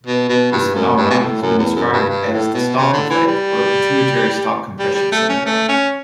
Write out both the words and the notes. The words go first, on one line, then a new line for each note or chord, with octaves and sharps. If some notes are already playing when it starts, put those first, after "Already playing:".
This phenomenon has been described as the stalk effect or pituitary stalk compression syndrome.
B2
B2
G2
F#2
G2
B2
A2
F#2
E2
F#2
G2
G2
A2
B2
C#3
D3
E3
G3
G3
G3
A3
C#4
A3
C#4